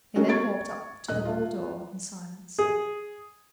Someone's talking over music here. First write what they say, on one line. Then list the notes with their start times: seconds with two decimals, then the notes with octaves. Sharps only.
They then walked up to the hall-door in silence.
0.16 G#3 A3 C#4 F#4 A4 A#4
0.29 C#6 G#6 A6 D7
1.08 D#1 D#5 F#6
1.25 F4
2.59 G#4